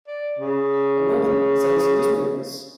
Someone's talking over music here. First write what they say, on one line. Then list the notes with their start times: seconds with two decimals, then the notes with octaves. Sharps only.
A woman sells newspapers.
0.07 D5
0.39 C#3